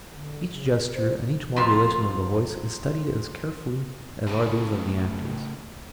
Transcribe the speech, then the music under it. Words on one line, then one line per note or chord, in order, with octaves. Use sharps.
Each gesture, and each modulation of the voice, is studied as carefully as are those of the actors.
D3
C#3
C5
F2 C3 F3
A2 C#3